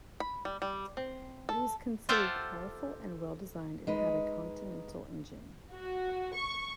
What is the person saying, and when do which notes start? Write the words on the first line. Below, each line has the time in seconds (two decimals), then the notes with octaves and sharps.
It was considered powerful and well-designed, and had a Continental engine.
0.20 B5
0.45 G3
0.62 G3
0.97 C4
1.49 A4
2.09 F4 G4 A4 C5 E5 F#5
3.87 G#3 D#4 B4
5.73 F#4
6.34 C#6